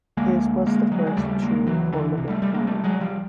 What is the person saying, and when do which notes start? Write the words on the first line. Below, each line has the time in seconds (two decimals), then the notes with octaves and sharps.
His was the first true portable phone.
0.17 D2 D3 G#3 A#3
0.67 G#3 A#3
0.92 F#3 G#3
1.07 G#3
1.17 D#2 C#3 G3 A3
1.42 G#3 A#3
1.67 E3 F#3
1.93 D3 E3
2.17 C2 C3
2.29 G3 A3
2.42 G3 A3
2.54 G#3 A#3
2.67 G3 A3
2.84 F#3 G#3
3.00 F3 G3